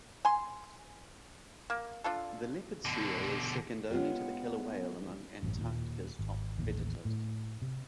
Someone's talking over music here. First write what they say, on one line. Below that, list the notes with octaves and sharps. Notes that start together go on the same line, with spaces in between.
The leopard seal is second only to the killer whale among Antarctica's top predators.
G#5 C6
A#3
D4 F4 A4
B2 D3
G#3 B3 C#4 F4 G4
A1 G2
D#2 A#2
G#1
A1 D#2
A2
C3